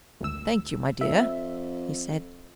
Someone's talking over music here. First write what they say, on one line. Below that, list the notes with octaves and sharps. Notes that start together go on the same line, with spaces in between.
"Thank you, my dear," he said.
G#1 D2 E6
F2 E5